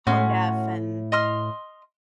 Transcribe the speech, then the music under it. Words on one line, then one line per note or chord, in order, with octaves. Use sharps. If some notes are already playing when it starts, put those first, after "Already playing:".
tone deaf and,
A2 C#4 F#4 C6
D#5 C6 F6